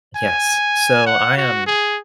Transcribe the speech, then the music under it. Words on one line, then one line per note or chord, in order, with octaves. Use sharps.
Yes. So I am
G#5
F#5
F#4
G#4